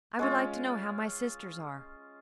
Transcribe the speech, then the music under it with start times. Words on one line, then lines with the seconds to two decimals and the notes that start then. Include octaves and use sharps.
I would like to know how my sisters are.
0.19 G#3 C#4 F4